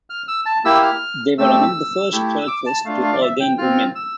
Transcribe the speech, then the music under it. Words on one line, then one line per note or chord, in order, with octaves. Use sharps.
They were among the first churches to ordain women.
F6
E6
A5
A#3 E4 G4 E6
F6
A3 C4 G4 E6
A3 E4 G4
E6
D6
A5
A3 D4 F4 F5
F5
D5
E5
G5
C4 F4 F6
E6